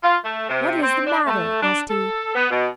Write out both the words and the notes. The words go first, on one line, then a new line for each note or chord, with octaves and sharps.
'What is the matter?' asked he.
F4
A3
C3
C4
D4
A3
D4
A4
B3
B2